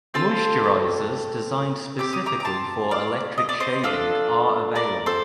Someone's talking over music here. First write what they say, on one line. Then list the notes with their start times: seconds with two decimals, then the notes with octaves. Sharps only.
Moisturizers designed specifically for electric shaving are available.
0.14 C4 F4 A4 A5 C6
1.99 C4 G4 D6
2.13 D#6
2.26 A#5 D6
2.40 D6
2.45 A5 C6
2.91 D5 F5
3.38 D#5
3.49 D5
3.60 C5 D#5
3.83 D4 F4 A4
4.75 A#4 D5
5.06 A4 C5